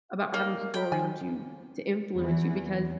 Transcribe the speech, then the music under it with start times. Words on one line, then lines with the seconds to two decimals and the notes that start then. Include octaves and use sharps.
about having people around you to influence you because
0.34 A#3 D#4 C#5
0.74 A4 D#5 G5 B5
0.92 D#3 D#4 G#5
2.15 E2 E3